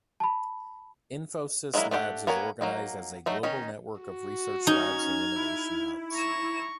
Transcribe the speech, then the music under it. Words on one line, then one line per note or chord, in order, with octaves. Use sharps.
Infosys Labs is organized as a global network of research labs and innovation hubs.
A5 B5
F#3 G#3 A#3 D4 E4
A3 D4 G4 C5 F#5
A#3 B3 A#4 C#5 G#5
F#3 A#3 D#4
F#3 A3 D#4
D#3 C#4 D#4
F#4
C#4 D#4 F6 G#6
E4
A#5 C#6 E7